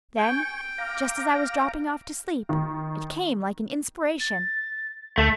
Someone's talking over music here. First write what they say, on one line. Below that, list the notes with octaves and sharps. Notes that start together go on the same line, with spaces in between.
Then, just as I was dropping off to sleep, it came like an inspiration.
G5 G#5 C#6 G6
F5 A#5 D6
D#3
A6
D2 A3